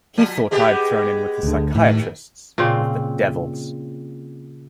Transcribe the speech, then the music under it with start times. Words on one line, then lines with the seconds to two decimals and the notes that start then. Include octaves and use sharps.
He thought I had thrown in with the psychiatrists, with the devils.
0.18 F3
0.51 G#3 B3 G4
1.43 D2 D3
1.75 D#2 A2
2.58 A#2 C#3 C4